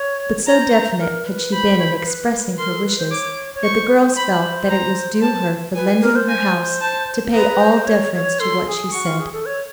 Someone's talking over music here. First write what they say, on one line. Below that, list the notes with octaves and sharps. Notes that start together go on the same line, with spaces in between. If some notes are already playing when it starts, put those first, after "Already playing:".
But so definite had she been in expressing her wishes, that the girls felt that it was due her for lending her house to pay all deference to what she said.
Already playing: C#5
C5 A#5
A#4
B4
C5 B5
C#5
C5
B4
A#4 C6
A4
B4
C5
C#5 D6
C#5
C5 C#6
B5
A#5
A5
B4 G#5
A#4
C5
G#5
A5
B4 A#5
C5
C#5
C#5
A4 C6
A4
G#4
F#4 C#6
F4
G#4
A4
C#5